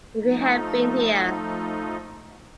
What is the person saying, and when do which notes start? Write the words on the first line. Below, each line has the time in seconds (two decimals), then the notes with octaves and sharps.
If he had been here.
0.22 F3 A3 D#4